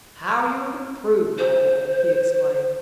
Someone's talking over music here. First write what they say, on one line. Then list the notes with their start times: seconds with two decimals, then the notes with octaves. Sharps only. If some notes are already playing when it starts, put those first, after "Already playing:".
"How you have improved, my boy!" he exclaimed.
1.38 C5